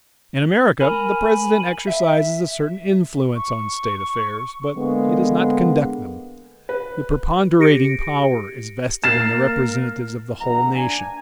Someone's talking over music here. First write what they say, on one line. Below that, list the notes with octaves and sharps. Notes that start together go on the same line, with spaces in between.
In America the President exercises a certain influence on State affairs, but he does not conduct them; the preponderating power is vested in the representatives of the whole nation.
A#4 G#5 B5
E5
C#6
D3 G#3 A#3 B3
B4
G4 A#6 C#7 D7
A#3 A#4 F6 A6 C7 E7
A#1 E3 F#5 A#5
D4 G#5